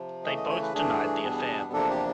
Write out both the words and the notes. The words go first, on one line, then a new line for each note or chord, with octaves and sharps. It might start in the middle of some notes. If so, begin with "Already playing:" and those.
They both denied the affair.
Already playing: C3 F3
C#3 E3 A3 D#5
D#5
C#5
B4
G2 E3 A3 D4 G#4
E2 B2 G3 B3 D4
E2 C3 F3 A#3 D4 A4
G4